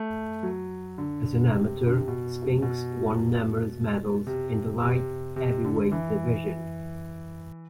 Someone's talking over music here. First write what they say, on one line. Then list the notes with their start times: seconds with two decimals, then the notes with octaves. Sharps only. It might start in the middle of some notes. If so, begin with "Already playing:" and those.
As an amateur, Spinks won numerous medals in the light heavyweight division.
Already playing: A3
0.43 F#3
0.98 D3
1.53 C3
1.86 D3
1.97 C3
2.08 B2
2.62 B2
4.27 C3
4.82 C3
5.36 C3
5.65 D3
5.92 E3